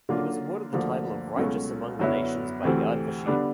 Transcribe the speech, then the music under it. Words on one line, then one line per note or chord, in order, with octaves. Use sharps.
He was awarded the title of Righteous Among the Nations by Yad Vashem.
D3 F#3 A#3 D4 F4
D2 D3 F3 A#3
C#2 B2 F#3 A3 C#4
F#2 D3 F#3 B3 E4
D2 C3 E3 A3 C4
D3 G3 B3 D4